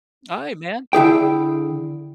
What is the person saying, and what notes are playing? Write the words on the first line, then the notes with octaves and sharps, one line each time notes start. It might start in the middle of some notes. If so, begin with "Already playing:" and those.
Aight, man.
D3 E4 G#4 G5